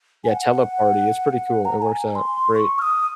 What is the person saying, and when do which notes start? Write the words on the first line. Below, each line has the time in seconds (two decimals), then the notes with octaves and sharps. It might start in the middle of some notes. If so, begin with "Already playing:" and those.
Yeah, Teleparty, it's pretty cool. It works out great
0.24 G#5
0.29 F#5
1.65 A#5
1.78 A#5
1.82 G#5
2.15 C6
2.54 C#6
2.79 F6
2.82 D#6